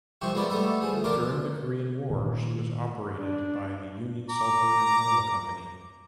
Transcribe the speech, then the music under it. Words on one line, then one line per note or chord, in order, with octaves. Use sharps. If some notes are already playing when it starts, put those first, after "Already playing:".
During the Korean War she was operated by the Union Sulphur and Oil Company.
C2 C3 F3 C4 G4 C#6
G#3 A#3 B3 C#4 B4 D5
G3 A3 B3 A4 E5
F3 G#4
D2
C2 F2 D4 F4 A#4 D6
A#2 D#3
D4
A#5 D6